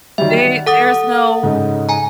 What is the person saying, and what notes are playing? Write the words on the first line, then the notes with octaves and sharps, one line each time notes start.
they there's no
D#3 F#3 G3 E5
F#5
A4 F#5 D#6 A6
G#2 C#3 D#4
G#5 A#5